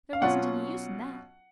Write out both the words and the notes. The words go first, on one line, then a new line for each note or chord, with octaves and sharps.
There wasn't any use in that.
F5
B2 F#3 C#4 F4 F#5